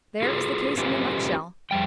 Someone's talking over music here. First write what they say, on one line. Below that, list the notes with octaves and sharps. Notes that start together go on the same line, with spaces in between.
There is the case in a nutshell.
F4 G#4 A4
C#4 F4 G4 A4 B4 C5
F2 G3 G5